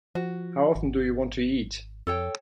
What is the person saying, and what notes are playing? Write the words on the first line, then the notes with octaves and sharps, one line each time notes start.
How often do you want to eat?
F3 F#4
G#1
F2 A4 C#5 G5